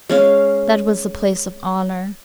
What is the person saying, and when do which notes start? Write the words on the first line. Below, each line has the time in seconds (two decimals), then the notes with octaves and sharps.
That was the place of honor.
0.09 G#3 C#4 F5